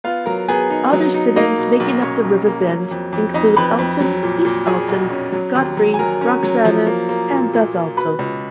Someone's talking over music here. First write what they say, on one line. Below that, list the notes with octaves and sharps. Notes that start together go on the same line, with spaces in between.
Other cities making up the "Riverbend" include Alton, East Alton, Godfrey, Roxana and Bethalto.
B3 F4 F5
F#3 A#4 A#5
B3 G#4 G#5
D#4
F#3
D#4
A#3 D#4 D#5
B2
B1
B1 C#4 C#5
B1
A#3
F#3
F2
F2
F2 D#4 D#5
F2 B4 B5
F2
F#3
A#2
A#2
A#2 G#4 G#5
B1
C#4
F#3
D#2
F#3
G#5
F#3 A#4 A#5
C#4
F#3
F3
A#3
A#3
A#2
A#2
A#3
B2 B4 B5
C#2